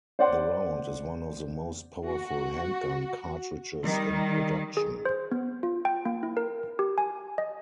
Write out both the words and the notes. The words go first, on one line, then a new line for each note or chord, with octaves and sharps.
The round is one of the most powerful handgun cartridges in production.
C5 D5 F#5 C6
F#4
D#3 G3
G#4
C5
B3
F4
G5
A#3
E4
A#4
G4
G#5
D#5